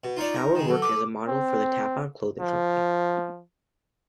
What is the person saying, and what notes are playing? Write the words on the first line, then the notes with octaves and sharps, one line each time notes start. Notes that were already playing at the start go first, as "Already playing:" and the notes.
Shower worked as a model for the Tapout clothing company.
B2
D#4 F4 C#5 D5
A#4
D#3 G#3
F#3 A4
B4 D6
C4
F3